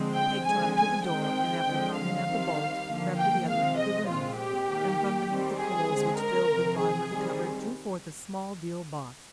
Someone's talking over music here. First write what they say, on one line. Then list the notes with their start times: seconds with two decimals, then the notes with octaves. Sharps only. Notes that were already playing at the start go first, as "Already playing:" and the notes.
Peg trotted to the door, and after fumbling at the bolt, crept to the other end of the room, and from beneath the coals which filled the bottom of the cupboard, drew forth a small deal box.
Already playing: D3 F3 G#3 C4
0.14 G5
0.44 D3 F3 G#3 C4 G#5
0.75 G#5
1.05 D#3 G#3 C4 G5
1.66 D3 F3 G#3 C4
1.95 F5
2.25 D#3 G3 C4
2.87 D3 F3 A#3
3.16 G5
3.47 C3 F3 G#3 C4 F5
3.76 D#5
4.06 A#2 G#3 C4 F4
4.36 G4
4.67 D#3 A#3
5.28 D#3 G3 C4
5.57 G#4
5.88 D3 G#3 C4
6.18 A#4
6.48 C3 F3 C4
6.78 G#4
7.08 D#3 G3 C4